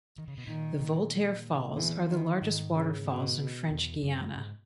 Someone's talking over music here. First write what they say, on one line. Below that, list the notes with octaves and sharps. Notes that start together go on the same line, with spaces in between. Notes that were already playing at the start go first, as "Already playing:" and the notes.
The Voltaire Falls are the largest waterfalls in French Guiana.
D#3
C#3
B2
A#2 D#3
A#2
E2 E3
D#3
G#2 D#3
C#3
B2
E2
F#2
G#2